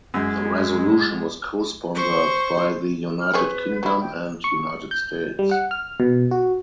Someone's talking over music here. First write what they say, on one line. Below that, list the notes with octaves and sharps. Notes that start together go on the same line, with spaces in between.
The resolution was co-sponsored by the United Kingdom and United States.
F#2 G#3
C5 C#6
F6
C4 G#4 B4 C#5
F#3 E4 B5
G5
C#6
G6
G3
F#5
F6
B2
F#4